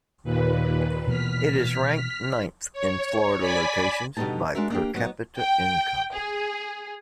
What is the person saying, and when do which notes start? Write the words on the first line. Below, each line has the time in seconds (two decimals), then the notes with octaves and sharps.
It is ranked ninth in Florida locations by per capita income.
0.24 D#2 A#2 B4
1.08 B2 E3 A#3 F6 B6
2.73 C#5
3.40 D5 G#5 B5 B6
4.17 B2 D3 G3 B3 D#4 A5
4.55 G#3 D4 F#4 A#4 E5
4.70 A#3 D4 G4
4.94 F#3 B3 D#4
5.39 G5
6.14 G#4